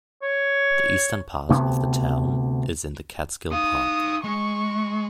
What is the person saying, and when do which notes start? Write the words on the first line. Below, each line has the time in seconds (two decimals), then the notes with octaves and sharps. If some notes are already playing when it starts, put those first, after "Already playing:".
The eastern part of the town is in the Catskill Park.
0.23 C#5
1.49 D2 C3 B3
3.52 D#4 F5 D#6
4.24 G#3 C#6